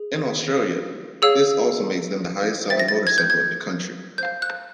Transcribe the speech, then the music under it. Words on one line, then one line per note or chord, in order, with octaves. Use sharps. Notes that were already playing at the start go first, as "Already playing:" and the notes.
In Australia this also makes them the highest selling motorcycle in the country.
Already playing: G#4
G#4 C#5 F5 E6
C5 E5 G5 A6
A#6
A6
G#6
G6
G#6
C5 F5 G6
F#6